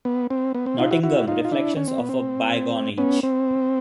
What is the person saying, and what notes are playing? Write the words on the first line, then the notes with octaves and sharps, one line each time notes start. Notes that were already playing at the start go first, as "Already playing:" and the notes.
Nottingham: Reflections of a Bygone Age.
B3
C4
B3
C4
D#4 F4
E4 F#4
E4 F#4
D#4 F4
F4
D4 E4
C#4
C4
B3
C4
B3 C#4
C4